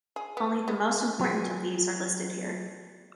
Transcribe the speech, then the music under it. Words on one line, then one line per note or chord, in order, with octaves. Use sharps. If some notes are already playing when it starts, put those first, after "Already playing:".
Only the most important of these are listed here.
G#4
B3
B3
F#3 G#4